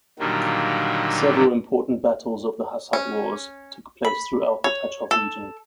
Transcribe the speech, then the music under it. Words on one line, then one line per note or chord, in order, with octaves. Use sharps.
Several important battles of the Hussite Wars took place throughout the Tachov region.
A#2 D3 D#3 F#3 G3 A#3
C#4
B5
C#5
A4